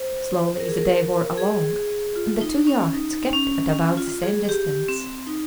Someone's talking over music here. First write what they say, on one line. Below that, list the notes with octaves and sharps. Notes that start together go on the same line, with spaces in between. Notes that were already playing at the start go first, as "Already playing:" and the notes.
Slowly the day wore along and the two yachts kept at about the same distance.
Already playing: C5
A#4
G#4
A#4
G#4
F4
D#4
C#4
D#4
C#4
C#4
F4
G#4
G4
C4
D#4